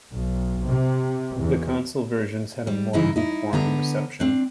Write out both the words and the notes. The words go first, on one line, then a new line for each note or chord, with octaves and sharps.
The console versions had a more lukewarm reception.
B1
C3
E2
G3
G2 C#3 E3 D#4 E4
D#4 E4
D3 B3 A#5
C4 D4